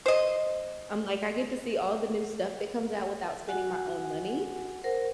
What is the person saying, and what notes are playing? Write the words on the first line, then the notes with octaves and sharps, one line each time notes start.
I'm, like, I get to see all the new stuff that comes out without spending my own money,
C5 D#5
F#4 F#5 G#5
A#4 C5 F#5